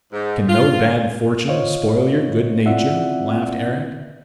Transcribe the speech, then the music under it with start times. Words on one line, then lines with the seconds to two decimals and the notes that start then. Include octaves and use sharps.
"Can no bad fortune spoil your good nature?" laughed Eric.
0.13 G#2
0.49 F4
1.48 F4 C5 C#5 D#5 F5
2.66 C4 E4 F4 D5 E5 F#5